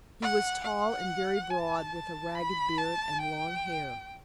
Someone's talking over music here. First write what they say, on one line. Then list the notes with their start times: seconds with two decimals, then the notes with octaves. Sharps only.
He was tall and very broad, with a ragged beard and long hair.
0.22 F#5
0.64 F#5
1.50 A5
2.35 B5
2.78 A5
3.21 G5